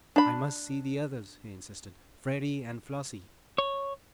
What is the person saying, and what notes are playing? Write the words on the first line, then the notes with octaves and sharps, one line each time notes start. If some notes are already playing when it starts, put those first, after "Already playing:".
"I must see the others," he insisted; "Freddie and Flossie."
D4 B5
C#5